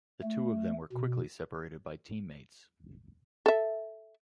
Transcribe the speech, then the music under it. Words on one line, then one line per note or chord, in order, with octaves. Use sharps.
The two of them were quickly separated by team-mates.
A3
B2
A4 E5